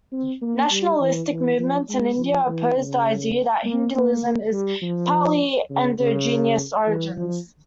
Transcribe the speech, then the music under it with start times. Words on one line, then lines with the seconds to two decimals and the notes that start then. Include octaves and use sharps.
Nationalistic movements in India oppose the idea that Hinduism has partly endogenous origins.
0.12 C4
0.42 A#3
0.71 G3
1.01 E3
1.30 E3
1.59 F3
1.89 G#3
2.18 F3
2.47 E3
2.76 C#3
3.65 A#3
3.95 A#3
4.52 G3
4.82 F3
5.70 C#3
6.00 C#3
6.87 E3
7.17 F3